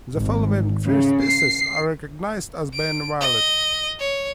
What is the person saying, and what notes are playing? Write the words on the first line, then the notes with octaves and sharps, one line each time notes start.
The following three species are recognized as being valid.
G#1
C#3
C7
D7
D#5
C#5